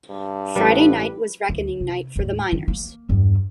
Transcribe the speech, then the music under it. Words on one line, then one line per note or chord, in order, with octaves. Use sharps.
Friday night was reckoning night for the miners.
G2
A1 G3 B4
D2
C3
D#2 A2
D#3
A#3
E2 G2